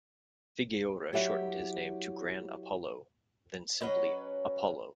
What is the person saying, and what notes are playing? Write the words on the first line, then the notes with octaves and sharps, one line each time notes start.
Figueroa shortened his name to Gran Apolo, then simply Apolo.
F#3 E4 G4 D5 E5 F#5
F#3 C#4 B4 D#5